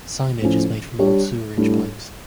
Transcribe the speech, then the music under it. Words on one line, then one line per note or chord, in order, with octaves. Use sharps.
Signage is made from old sewerage pipes.
A2 F3 C#4
G3 D4 G4 C#5
A2 G3 D4